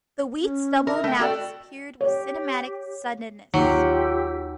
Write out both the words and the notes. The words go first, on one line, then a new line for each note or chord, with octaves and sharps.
The wheat stubble now disappeared with cinematic suddenness.
C#4
A#4 E5
A3 G5
F#4 A4 D5 G5
G4 C#5
D#2 F#3 F4 G4 E6